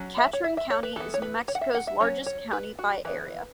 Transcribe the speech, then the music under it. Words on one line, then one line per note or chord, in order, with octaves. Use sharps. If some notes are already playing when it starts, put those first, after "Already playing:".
Catron County is New Mexico's largest county by area.
Already playing: F#3 C#4
E5
C#5
E5
E5
C#5
B4
E3 B3 A4
C#5
B4
C#5
F#5
E5
F#5
E5
F#3 C#4 C#5
C#5
B4
F#4
E3 B3 B4